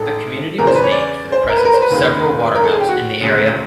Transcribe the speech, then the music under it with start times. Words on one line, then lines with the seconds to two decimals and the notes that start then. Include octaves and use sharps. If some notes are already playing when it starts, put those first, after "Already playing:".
The community was named for the presence of several watermills in the area.
Already playing: A1 G#2 A4
0.58 E2 C#3 E3 A#4
0.67 C5
0.75 B4
0.84 C#5
0.92 D5
1.32 C5
1.49 A#4
1.57 B4
1.65 A#4
1.73 C5
1.82 B4
1.90 F1 D#2 C#3
2.55 A#4
2.64 A4
2.72 G#4
2.80 G4
2.89 F#4
3.21 E1 D2 C#3